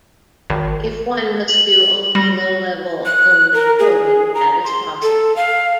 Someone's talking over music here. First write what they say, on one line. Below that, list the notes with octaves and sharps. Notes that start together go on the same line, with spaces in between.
If one must do only low-level-only coding, that is possible.
G#1
F#7
G3 A#6
F#6
A#4
G#4
A#5
C6
A4
F5